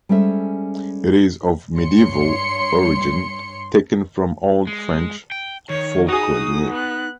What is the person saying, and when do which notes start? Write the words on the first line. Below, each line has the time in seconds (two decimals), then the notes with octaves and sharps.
It is of medieval origin taken from Old French "faulconnier".
0.09 G3 G#3 C#4 A4 C5 E5
1.77 G2 C#5 C6 C#7
4.67 G#3
5.32 G5
5.70 D#3 C#5
6.08 D#4 F#4 G#4 D#6
6.70 B3 F#6